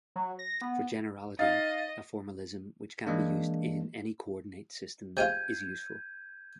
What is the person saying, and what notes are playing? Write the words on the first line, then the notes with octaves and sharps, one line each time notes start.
For generality, a formalism which can be used in any coordinate system is useful.
F#3
A#6
B3
D#4 D#5 F5 A6
E3 G#3 A#3 D4
C3 G#3 F4 G6 G#6 D#7